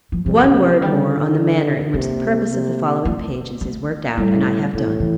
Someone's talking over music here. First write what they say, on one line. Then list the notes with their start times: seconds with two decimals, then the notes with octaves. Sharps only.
One word more on the manner in which the purpose of the following pages is worked out--and I have done.
0.12 F3
0.26 C3 F3
0.44 F3
0.55 E3
0.82 D3 G3
1.94 C3 A#3
2.49 C3
3.05 A3
3.61 A3
4.17 A2 G3
4.73 A2 E3
5.00 E3